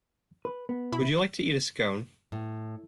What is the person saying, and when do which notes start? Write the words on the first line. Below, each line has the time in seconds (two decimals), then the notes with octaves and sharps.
Would you like to eat a Scone?
0.45 B4
0.69 B3
0.92 B2 E4 B5
2.32 A2